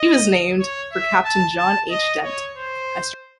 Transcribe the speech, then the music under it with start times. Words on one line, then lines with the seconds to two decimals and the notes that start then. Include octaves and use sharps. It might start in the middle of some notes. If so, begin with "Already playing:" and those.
She was named for Captain John H. Dent.
Already playing: D#5
0.60 C#5
0.92 E5
1.25 A5
1.58 A5
1.90 D#5
2.23 C#5
2.57 C5